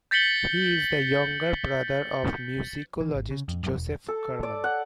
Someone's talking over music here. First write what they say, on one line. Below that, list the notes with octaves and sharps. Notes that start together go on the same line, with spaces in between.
He is the younger brother of musicologist Joseph Kerman.
G6 A6 B6 C#7 F#7 G7
E3
G#1
C#3
F2
F#2
E1
A4
D5
F#5